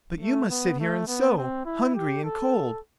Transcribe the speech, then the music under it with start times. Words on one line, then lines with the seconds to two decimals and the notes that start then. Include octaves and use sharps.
But you must sit here and sew, hungry and cold.
0.20 A3
0.50 B3
0.79 A3
1.08 B3
1.37 C4
1.65 E4
1.95 G4
2.24 A4